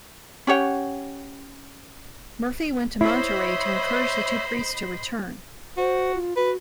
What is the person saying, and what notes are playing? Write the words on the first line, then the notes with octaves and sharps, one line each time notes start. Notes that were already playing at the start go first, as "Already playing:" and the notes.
Murphy went to Monterrey to encourage the two priests to return.
C#4 G4 C#5 F#5
E4 C5 C#5 D#5 E5 B5 C7
F#4 C5
F4
F#4 B4